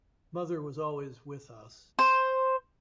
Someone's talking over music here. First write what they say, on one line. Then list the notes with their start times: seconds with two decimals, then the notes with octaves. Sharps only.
Mother was always with us...
1.99 C5